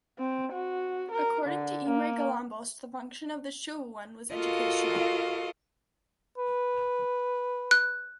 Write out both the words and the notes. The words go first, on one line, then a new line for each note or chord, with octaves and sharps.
According to Imre Galambos, the function of the "Shuowen" was educational.
C4
F#4
A#4
D3
A#3
F4 F#4 A4 A#4 D#5 F5
B4
F#6